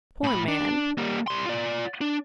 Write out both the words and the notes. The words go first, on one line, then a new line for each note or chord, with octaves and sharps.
Poor man!
A2 B5
D4
G3 A#3
G3 C6
F4 D5
D4